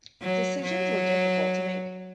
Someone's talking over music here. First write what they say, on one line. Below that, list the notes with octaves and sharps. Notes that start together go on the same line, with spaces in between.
Decisions were difficult to make.
F#3
F#3